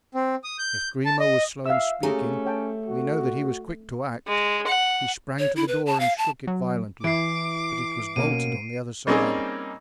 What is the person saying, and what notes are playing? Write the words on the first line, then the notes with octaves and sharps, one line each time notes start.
If Grimaud was slow in speaking, we know that he was quick to act; he sprang to the door and shook it violently, but it was bolted on the other side.
C4
D#6
G6
A5
D#5
E5 F5 E6
A3 C#4 G4 G#4 A#5
C#5 G5 A5
F#4
G#3
F#5
C#5
E4
B4
A5
F5
A5
F#3
E3 E4 D6 C7 D7
B2 A#3 C#4 D#7
G3 A#3 C4 C#4 D#4 G#4